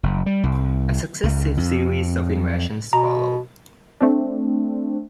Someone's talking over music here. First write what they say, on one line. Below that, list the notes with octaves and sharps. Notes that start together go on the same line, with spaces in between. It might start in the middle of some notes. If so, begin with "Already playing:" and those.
A successive series of invasions followed.
F#1
G3
C2
C#2
F2
B2 A#5
A3 C4 D4